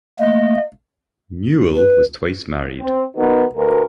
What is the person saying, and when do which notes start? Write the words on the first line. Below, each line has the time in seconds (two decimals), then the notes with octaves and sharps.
Newell was twice married.
0.19 A3 A#3 D#5
1.75 B4
2.81 C4
3.16 D#3 B3 D#4 F#4 A#4 B4
3.56 D2 A#4 B4